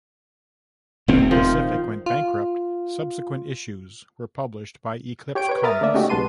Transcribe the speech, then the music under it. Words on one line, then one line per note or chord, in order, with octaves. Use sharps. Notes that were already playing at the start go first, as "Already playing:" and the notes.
When Pacific went bankrupt, subsequent issues were published by Eclipse Comics.
F1 E2 C4
D#3 F3
F4
G4 C#5 G5 D7
B4 C#5
A#4 E5 A#5 D#6 F6 A6
D3 A3 A#3 D5 E5
C#3 A3 C#4 D#4 F#4 G4
B1 G#3 B4 A5 C6 D#7